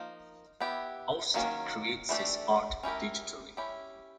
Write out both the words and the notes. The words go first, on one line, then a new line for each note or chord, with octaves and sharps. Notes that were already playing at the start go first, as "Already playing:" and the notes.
Austen creates his art digitally.
Already playing: F3 A#3 D#4
B3 E4 G4
D#3 F#3 A#3 C#4
E3 A3 D4 G4
C#4 E4 G4 A#4
C#4 E4 G4